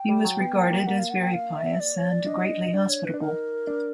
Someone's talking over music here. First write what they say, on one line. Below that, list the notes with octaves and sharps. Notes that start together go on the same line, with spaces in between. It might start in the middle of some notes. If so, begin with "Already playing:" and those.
He was regarded as very pious and greatly hospitable.
Already playing: G5
G3
F#3
B3
A#3
A#3
A#3 F#5
F5
F#5
G5
F5
E5
D5
C#5
D5
D4 D#5
D4 D5
C#5
B4
D4
D#4 A#4
D4